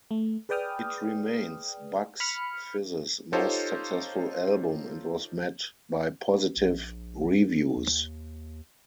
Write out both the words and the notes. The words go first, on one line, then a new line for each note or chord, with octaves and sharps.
It remains Bucks Fizz's most successful album and was met by positive reviews.
A3
G#4 B4 D5 G5 D#6 F6
B5 F6 C#7
D#4 F4 G4 A4 C5 C#5
A#1
D#2